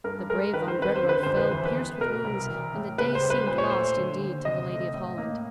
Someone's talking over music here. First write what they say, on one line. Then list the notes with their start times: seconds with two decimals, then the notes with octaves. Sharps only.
The brave von Brederode fell pierced with wounds, and the day seemed lost, indeed, to the Lady of Holland.
0.04 G2 A#4
0.30 G#3 A#4
0.53 D#3 B4
0.68 C5
0.79 C4 B4
0.96 C5
1.03 D3
1.09 B4
1.23 F2 C5
1.37 B4
1.51 E3 C5
1.65 B4
1.76 B3
2.00 B2 A#4
2.24 C2
2.49 E3
2.74 A2
2.98 C#3 B4
3.15 C5
3.22 G3
3.30 B4
3.47 A#2 C5
3.58 C#5
3.70 A3 C5
3.97 D3
4.20 D#2
4.45 C3 D#5
4.70 A3
4.93 A2
5.18 A#3